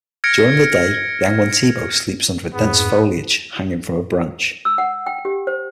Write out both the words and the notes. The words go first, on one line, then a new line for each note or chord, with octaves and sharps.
During the day the angwantibo sleeps under dense foliage, hanging from a branch.
F6 G#6 A#6 C#7 D7
F2 G#2 B3 G#4
E6
F#5
G5
G4
C5